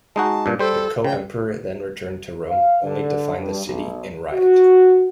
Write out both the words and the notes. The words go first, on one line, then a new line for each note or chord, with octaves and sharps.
The co-emperor then returned to Rome, only to find the city in riot.
G#3 D#4 F#4 A5
G2 A#2
G3 A4 C5
C#3 G5
F5
D3
G2
B1
F#4